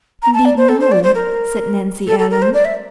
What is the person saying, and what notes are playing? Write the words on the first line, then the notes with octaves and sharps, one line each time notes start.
"Indeed, no!" said Nancy Ellen.
A#5
A5
D5
C5
A4
C5
D5
C5
A#4
A4
A4
A#4
C5
D5
E5